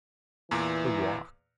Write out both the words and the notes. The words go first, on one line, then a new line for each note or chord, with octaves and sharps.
The walk.
E2 A#2 E3